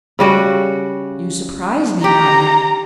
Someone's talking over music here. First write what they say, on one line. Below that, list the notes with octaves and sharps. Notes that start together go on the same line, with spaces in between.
"You surprise me, madam."
C#3 G3 F#4
G4 A#5